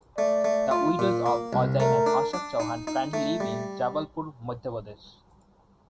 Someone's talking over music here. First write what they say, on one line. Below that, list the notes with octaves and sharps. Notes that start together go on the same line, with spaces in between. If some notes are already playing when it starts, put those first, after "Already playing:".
The widows of Ajay and Ashok Chauhan currently live in Jabalpur, Madhya Pradesh.
A3 D5
A3
F4
A#2
A#3
C2
A3 A#4
D4
D4
D#4
D#4
A3
G3